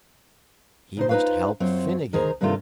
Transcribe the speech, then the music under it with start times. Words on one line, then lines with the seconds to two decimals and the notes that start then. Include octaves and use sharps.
He must help Finnegan.
0.97 C#3 D#4 C5
1.09 D#4 F4 F#4 B4 C5 F5
1.60 F#2 C4 F4 C#5
2.13 D#3 G#4 C5 A#5
2.41 G2 C3 D#3 A3 F4